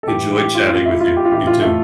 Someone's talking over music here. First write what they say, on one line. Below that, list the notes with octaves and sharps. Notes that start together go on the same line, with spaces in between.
Enjoy chatting with you. You too.
A4
A2 E3 G4
G4
F4
F4
E4
F4
G4
F4
A2 E3 G4
F4
A3